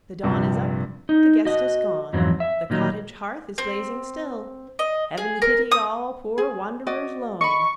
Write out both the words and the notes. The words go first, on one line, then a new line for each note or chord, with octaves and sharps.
The dawn is up--the guest is gone, The cottage hearth is blazing still; Heaven pity all poor wanderers lone!
A#1 G2 C3
D#4
F#4 D#5
F2 G#2 E3 F#3 C4
E5
A#2 D#3 F#3 D#4
C4
D#5
G#4
A#4
D#6
G#4
F#4 D5 D#5
D#5 B5 C#6